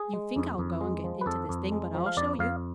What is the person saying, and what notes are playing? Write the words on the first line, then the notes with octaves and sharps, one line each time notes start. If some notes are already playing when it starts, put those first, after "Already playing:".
You think I'll go and get into this thing, but I'll show you.
Already playing: G#4
G#3
F2
F2
G#3
F3
B4
F2 A4
F2
G#3
F3
F5
F2 D5
F2 F5